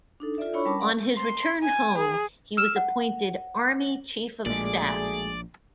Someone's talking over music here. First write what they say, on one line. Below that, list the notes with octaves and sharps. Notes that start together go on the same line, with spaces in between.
On his return home, he was appointed Army Chief of Staff.
D4 D#4 A4
F4 A4 D5 E5
D4 E4 C#5 B5 C#6
G3 C#4 A#4 A5 B5 D6
D5 F5 F#5
C6
G#5
G#4
E6 F6 E7
F#5
A#1 A#2 G#3 A3 F#4 G#4 D5